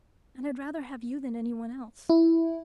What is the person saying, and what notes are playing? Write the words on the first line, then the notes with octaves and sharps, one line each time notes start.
And I'd rather have you than any one else.
E4